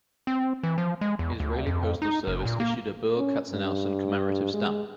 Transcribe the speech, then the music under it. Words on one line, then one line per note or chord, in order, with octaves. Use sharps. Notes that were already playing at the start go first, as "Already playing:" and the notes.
Israeli Postal Service issued a Berl Katzenelson commemorative stamp.
C4
E3
F3
G#3
E2
D2
F2
D#4
F#1
A#2
A#3
C#4
G2
G#3